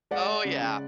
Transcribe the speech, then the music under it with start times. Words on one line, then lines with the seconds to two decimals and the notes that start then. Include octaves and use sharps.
Oh, yeah.
0.11 G#3 D5 F#5
0.27 G#3
0.45 C#3
0.62 C#3